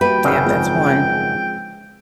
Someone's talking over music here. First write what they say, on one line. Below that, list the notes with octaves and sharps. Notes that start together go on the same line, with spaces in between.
Yep, that's one.
G3 A#3 F#4 A4 B4 E5 G5
G#1 F#2 C#3 D5 F#5 E6
F3 G#3 C4